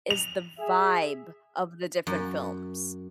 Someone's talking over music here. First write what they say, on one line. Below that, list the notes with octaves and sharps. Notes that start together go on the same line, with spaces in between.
is the vibe of the different films.
F7
G#4 E5
F#2